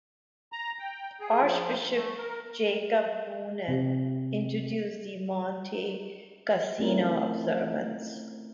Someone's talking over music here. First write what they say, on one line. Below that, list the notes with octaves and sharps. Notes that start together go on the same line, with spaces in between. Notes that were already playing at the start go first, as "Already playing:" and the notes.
Archbishop Jacob Boonen introduced the Monte Cassino observance.
A#5
G5
G#4
F3
A3
A#4
C3 G4
A3 C4 C#4 E4 F4 A#4